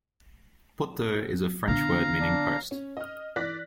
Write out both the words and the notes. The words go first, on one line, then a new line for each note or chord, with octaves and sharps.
"Poteau" is a French word meaning post.
D3 B3 F5 A#5
D4
C#4
D#5 F6
E3 D5 F#6 A#6 B6